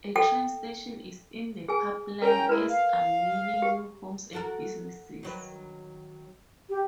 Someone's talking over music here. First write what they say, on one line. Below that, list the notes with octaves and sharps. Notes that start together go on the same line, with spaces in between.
A train station is in the pipeline as are many new homes and businesses.
A4 G5
G#4 G#5
C#4 A#4 G5 A#5
G#3 E4 B4 A#5
F5
G4
F#4 A4 A#4
D#3 F#3 B4
G4